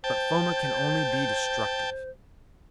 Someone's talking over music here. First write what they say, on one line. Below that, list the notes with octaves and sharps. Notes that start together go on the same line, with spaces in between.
But Foma can only be destructive.
C5 G5 A5